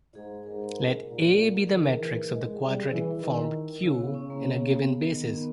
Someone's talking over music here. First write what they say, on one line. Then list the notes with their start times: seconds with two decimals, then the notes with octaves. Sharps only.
Let "A" be the matrix of the quadratic form "q" in a given basis.
0.15 G#2 G#4
0.46 G#2 A#4
1.07 A#2
1.64 G#4
1.69 D#3 A#4
1.99 E3 A#4
2.30 G#3 G#4
2.60 G3
2.91 E3 E4
3.22 D#3
3.83 C#3 E4
3.99 B3
4.14 C#3 C#4
4.30 A#3
4.45 B3
4.56 B3
4.65 A#3
4.76 B3
5.06 D#3
5.37 B3